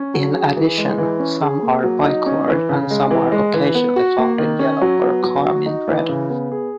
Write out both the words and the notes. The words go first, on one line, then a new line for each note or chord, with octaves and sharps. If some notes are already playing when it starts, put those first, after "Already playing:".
In addition, some are bicolored and some are occasionally found in yellow or carmine-red.
Already playing: C#4
F#3
G#4
E3
G#3
E3
C#4
G#4
A#3
F#3
D#4
C#4
E3
C#3
G#3
E3
G#3
E3
B3
F#4
A#3
D#3
C#4
F#3
B3
F#3
F#4
D#4
E3
C#3
B3
G#4